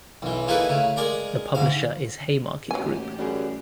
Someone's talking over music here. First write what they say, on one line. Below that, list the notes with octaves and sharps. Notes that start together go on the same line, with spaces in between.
The publisher is Haymarket Group.
B1 E3
A#3 D#4 E4 G#4 A4 B4
C#3 A3
G#3 G#4 A#4 D5
D2 G#2 F5
D#1 A2 E3 F#3 G4 G#5
F#2 G3 F#4 G#4